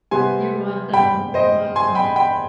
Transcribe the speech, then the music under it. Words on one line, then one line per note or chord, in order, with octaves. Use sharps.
You're welcome. You're welcome.
C3 G3 B3 G#5 C6
G5 B5
C5 D#5
G#5 C6
G5 B5
G5 B5